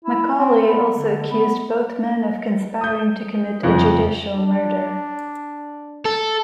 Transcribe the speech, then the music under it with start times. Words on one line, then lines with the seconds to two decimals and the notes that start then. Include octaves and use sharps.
Macaulay also accused both men of conspiring to commit a judicial murder.
0.04 E4
0.37 C4
0.67 B3
0.97 D3
1.31 B3
2.81 D#6 G6
3.63 F2 C#3 F3
4.35 D4
6.05 A4